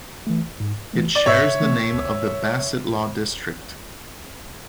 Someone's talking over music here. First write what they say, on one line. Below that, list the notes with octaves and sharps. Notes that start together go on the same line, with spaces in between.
It shares the name of the Bassetlaw district.
E3 A3
G#2
E3 A3
D5
G#2 C#5 E5
E3 A3
D2